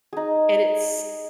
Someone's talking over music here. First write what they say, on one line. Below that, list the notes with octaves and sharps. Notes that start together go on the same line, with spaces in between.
And it's
D#4 G#4